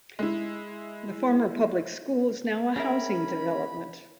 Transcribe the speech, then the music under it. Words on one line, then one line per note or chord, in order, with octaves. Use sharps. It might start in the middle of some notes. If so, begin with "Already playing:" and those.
The former public school is now a housing development.
G#3 E4
C#4 G#4 A#4 E5 B5